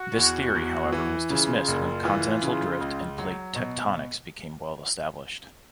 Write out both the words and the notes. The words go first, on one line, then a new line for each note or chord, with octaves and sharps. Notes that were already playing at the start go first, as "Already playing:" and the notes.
This theory however was dismissed when continental drift and plate tectonics became well established.
Already playing: F#4
E2
E2
E3
C#3 F4
F#1
E3
C#3
C#2
F#3
B2